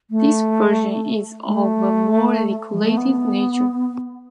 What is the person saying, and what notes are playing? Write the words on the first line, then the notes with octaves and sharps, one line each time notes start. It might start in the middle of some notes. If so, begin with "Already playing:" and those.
This version is of a more decorated nature.
A3
G#3
A3
F3
G#3
A3
B3